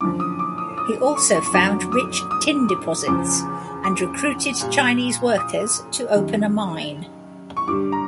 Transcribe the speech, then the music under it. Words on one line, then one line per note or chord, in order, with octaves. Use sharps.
He also found rich tin deposits, and recruited Chinese workers to open a mine.
F#2 D3 F3 D6
D#6
D6
D#6
D#6
C#6
C#6
C#6
F2 D3 F#3 D6
D#6
D#6
D6
E2 C#3 F3 D6
D6
A#2 G3
D#6
F#2 D#3 G3
C#6
G2 D3 G3 D6
A#5